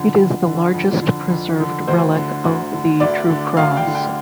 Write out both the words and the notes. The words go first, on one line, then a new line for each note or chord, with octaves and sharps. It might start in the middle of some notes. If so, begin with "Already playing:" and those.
It is the largest preserved relic of the True Cross.
Already playing: F2 D3
F2
D3
F2
D3
F2
D3
D2 C5
D3
D2
D3
D2 D5
D3
D2 F5
G5
D3
G5